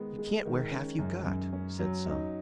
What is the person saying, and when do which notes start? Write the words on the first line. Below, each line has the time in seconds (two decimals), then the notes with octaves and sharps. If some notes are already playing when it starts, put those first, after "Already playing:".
"You can't wear half you've got," said some.
Already playing: D#3 G#3 B3
0.18 G#3
0.45 D#3
0.71 C#4
0.99 F#2
1.26 F#2
1.53 C#4
1.79 F#3
2.06 D#4